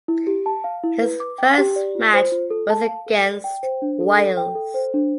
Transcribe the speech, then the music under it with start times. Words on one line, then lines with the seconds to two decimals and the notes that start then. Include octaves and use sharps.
His first match was against Wales.
0.08 E4
0.27 G4
0.46 A5
0.64 F5
0.84 E4
1.02 B4
1.20 D6
1.38 G5
1.58 G4
1.76 D5
1.95 F4
2.14 C5
2.32 F4
2.50 A4
2.70 A5
2.89 F5
3.06 A4
3.25 D5
3.44 G5
3.63 C5
3.82 D4
4.00 A4
4.18 A4
4.37 G5
4.55 A4
4.74 C5
4.94 D4